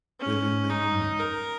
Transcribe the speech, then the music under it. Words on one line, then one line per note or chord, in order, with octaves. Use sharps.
Within the unit.
C#4
D#4
A#4